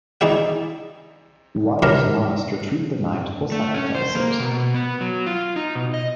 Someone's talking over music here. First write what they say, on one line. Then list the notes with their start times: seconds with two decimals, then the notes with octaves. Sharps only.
White now must retreat the knight, or sacrifice it.
0.21 D#4 E4 G#4 D5 G5
1.82 C3 G3 C#4 D4 A#4
3.52 A3
3.75 C#4
3.95 C5
4.15 A#3
4.39 B2
4.74 B3
5.01 F#3
5.26 F4
5.56 D#4
5.75 B2
5.94 D#5